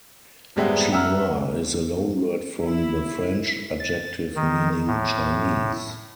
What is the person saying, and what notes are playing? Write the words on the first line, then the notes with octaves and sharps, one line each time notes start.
"Chinois" is a loanword from the French adjective meaning Chinese.
G#1 F2 G3 G#3 B3 E5
E5 F#5 A#5 E6 F6
E4
A6
D#3
A2